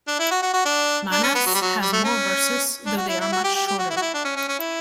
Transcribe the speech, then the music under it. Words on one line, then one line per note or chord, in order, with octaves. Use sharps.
Manas has more verses, though they are much shorter.
D4
E4
F#4
F#4
F#4
D4
D4
C#4
B3
F#3
G3
F#3
G3
A3
C#4
D4
F#4
E4
E4
F#4
G4
G4
G4
F#4
E4
F#4
E4
D4
C#4
C#4
C#4
E4